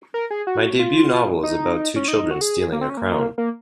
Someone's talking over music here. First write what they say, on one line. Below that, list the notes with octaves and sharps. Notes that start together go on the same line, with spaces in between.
My debut novel is about two children stealing a crown.
A#4
G#4
F#4
F4
D#4
C#4
D#4
F#4
G#4
A#3
C4
C#4
A#3
A#3